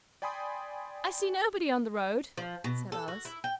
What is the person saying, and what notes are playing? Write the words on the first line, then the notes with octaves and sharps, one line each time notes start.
'I see nobody on the road,' said Alice.
D5 G5 G#5 B5 C6 D#6
F3
B2
A4
F#4
E4
G5